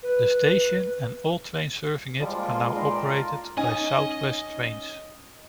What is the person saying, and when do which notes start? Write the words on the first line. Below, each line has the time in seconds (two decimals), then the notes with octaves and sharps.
The station and all trains serving it are now operated by South West Trains.
0.03 B4
2.20 F3 G3 G#3
2.35 F3 A#3
2.49 G#3 B3 F4
2.76 A#2 D#3 A#5 C6
2.91 D5 A5 A#5
3.10 F4
3.57 C#4 D#4 D#5 G#5